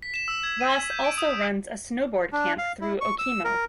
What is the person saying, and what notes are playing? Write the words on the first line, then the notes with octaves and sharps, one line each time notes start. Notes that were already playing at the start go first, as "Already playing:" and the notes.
Ross also runs a snowboard camp through Okemo.
B6
E7
E6
G#6
D#7
B6
G6
D7
D#6
D#6
D4
F5
E4
C#6
E6
A#4